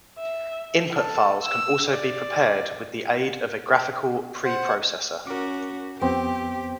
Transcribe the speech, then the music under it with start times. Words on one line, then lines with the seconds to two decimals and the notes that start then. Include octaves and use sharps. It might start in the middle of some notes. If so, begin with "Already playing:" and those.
Input files can also be prepared with the aid of a graphical preprocessor.
0.18 E5
0.94 A4
1.43 E6
1.90 D5
4.44 C5 F#5
5.27 C#4 F#4 A#4 D6
6.01 F2 B3 C4 G4